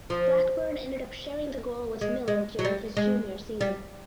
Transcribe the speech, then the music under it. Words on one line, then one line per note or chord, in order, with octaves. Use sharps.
Blackburn ended up sharing the goal with Miller during his junior season.
F3
G#3
G#3
F#3
G3
G#3
G3